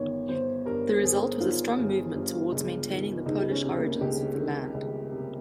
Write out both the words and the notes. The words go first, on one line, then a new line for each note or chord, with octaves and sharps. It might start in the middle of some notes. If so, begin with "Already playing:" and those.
The result was a strong movement towards maintaining the Polish origins of the land.
Already playing: G1 D#3 C#5
G1 C5
G2 A#4
G1 G#4
D#3 F4
G1
G2
C#2
D#3
C#2 D#4
C#4
C3
A#3
C#2 G4
D#3
C#2
C3